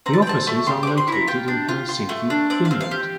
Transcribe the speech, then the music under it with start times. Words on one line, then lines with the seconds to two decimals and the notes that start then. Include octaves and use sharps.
The offices are located in Helsinki, Finland.
0.06 C4 A#5
0.13 A5
0.22 G5
0.27 C4 A5
0.47 A3
0.67 G4 C6
0.83 C4 D6
0.98 C6
1.08 E4 A#5
1.27 F4 G5
1.48 D4
1.69 F4
1.89 F4
2.09 A3
2.30 D4
2.50 C4 D5
2.65 F5
2.71 C4
2.81 F5
2.91 G4